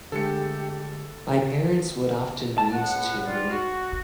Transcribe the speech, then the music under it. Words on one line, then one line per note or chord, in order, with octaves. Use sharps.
My parents would often read to me.
D3 G#3 A3 G4 A4 C#7
A5
C#2 A2 F#5
G3 F4
F#4